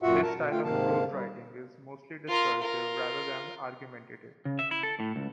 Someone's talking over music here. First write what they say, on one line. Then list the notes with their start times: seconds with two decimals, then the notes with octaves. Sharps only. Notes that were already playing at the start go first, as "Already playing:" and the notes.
His style of prose writing is mostly discursive rather than argumentative.
0.02 F#2 A#2 F4 F#4 E5 F#5
0.23 A#4 A5
0.35 B2
0.51 A3 F4 F5 G5
0.64 G#2 C3 D#3 A#3 F5 A5
1.11 G3
2.28 F4 A#4
2.63 F4 A#4
4.45 C#3
4.59 E5
4.71 E4
4.83 A4
5.00 A2
5.16 C#2